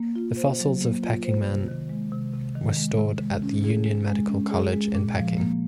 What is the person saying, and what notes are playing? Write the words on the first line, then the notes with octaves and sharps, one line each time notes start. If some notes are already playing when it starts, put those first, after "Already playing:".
The fossils of Peking Man were stored at the Union Medical College in Peking.
Already playing: A#3
F4
C5
F#3
A#3
F4
C5
C3
D#3
G#3
C3
C3
D#3
G#3
C3
G#3
C#4
G#4
G#3
G#3
C#4
G#4
G#3
A#2
F3
A#3